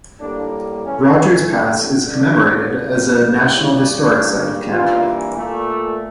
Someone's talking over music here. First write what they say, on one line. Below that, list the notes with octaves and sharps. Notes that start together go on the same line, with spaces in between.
Rogers Pass is commemorated as a National Historic Site of Canada.
A2 G3 A#3 D4
C#3 E3 A3 C#4
G2 D3 A3 D4
G2 D3 G3 A#3 D4
F2 C#3 G3 A#3
C#3 G3 A#3 E4
C#3 G3 A#3 D4
G2 E3 A#3 F4
A#2 A3